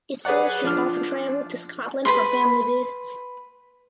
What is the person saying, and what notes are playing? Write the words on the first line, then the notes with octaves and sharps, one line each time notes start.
It says she often traveled to Scotland for family visits.
G#4 B4 C#5 D5 F#5
F3 D4 F6
B4 B5 C6